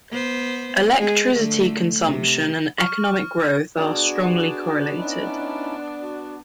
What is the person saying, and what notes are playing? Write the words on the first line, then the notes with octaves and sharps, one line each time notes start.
"Electricity consumption and economic growth are strongly correlated".
B3 C5
G#3 G#4
D3 A3
C3
C#6 F6
B3 D4 F#4 G#4
C#4 D#4 E4
F#4